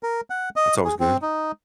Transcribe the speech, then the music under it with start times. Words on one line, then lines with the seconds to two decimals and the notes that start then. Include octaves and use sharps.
That's always good.
0.03 A#4
0.30 F#5
0.56 D#5
0.85 G#4
1.00 C4
1.22 D#4